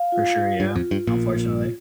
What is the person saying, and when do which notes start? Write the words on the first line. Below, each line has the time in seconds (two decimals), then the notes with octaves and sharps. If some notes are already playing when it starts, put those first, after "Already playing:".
For sure, yeah, unfortunately.
Already playing: F5
0.12 F4
0.43 F4
0.60 G2
0.76 F2 F4
0.91 G2
1.07 A#1 A#2 F4
1.39 F4